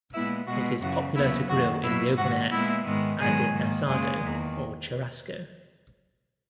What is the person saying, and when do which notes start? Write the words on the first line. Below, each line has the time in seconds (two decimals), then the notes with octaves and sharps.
It is popular to grill in the open air as in asado or churrasco.
0.13 A#2 G#3 B3 E4 E5
0.47 B2 G#3 B3 F#4 F#5
0.81 F#2 C#3 E3 F#4 F#5
1.15 D#2 C#3 F#3 B3 E4 E5
1.49 F#2 D#3 A#3 F#4 F#5
1.83 B2 F#3 A#3 E4 E5
2.17 G#2 D#3 A#3 F#4 F#5
2.51 A#2 G#3 B3 E4 E5
2.85 G#2 D#3 G#3 B3
3.19 G#2 D#3 F#3 G#3 B3 G#4
3.53 G#2 D#3 A#3
3.87 F#2 C#3 F#3 G#3 A#3 G#4
4.21 E2 D#3 A#3